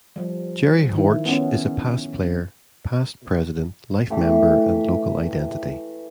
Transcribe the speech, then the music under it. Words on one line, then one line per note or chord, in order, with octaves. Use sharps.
Gerry Horch is a past player, past president, life member, and local identity.
F3 G3
D#3 E4
B3 C#4
E3 A3 D4 G4